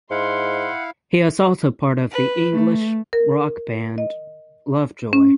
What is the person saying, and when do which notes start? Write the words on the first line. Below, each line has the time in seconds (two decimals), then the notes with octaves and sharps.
He is also part of the English rock band Lovejoy.
0.11 G#2 E4 F5 F#5 C6
2.11 B4
2.53 A3
3.13 A#4
3.98 D#5
5.13 C#4